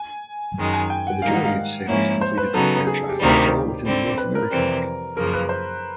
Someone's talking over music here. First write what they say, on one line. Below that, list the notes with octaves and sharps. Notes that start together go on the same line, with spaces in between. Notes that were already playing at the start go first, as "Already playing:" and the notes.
The majority of sales completed by Fairchild fell within the North American market.
Already playing: G#5
F#2 D#3 G#3
G#5
G5
F#5
G#2 D#3 G3 A#3 D#4 F5
F#5
F5
G#2 F3 A#3 C#4 E4 C#5
C5
B4
C#3 F#3 B3 D#4 A4
G#4
G4
D2 C3 D#3 G3 A#3
D3 G3 C4
B4
A#4
F2 C3 E3 G3 C4
F#2 C#3 F3 A#3 A#4
B4
C5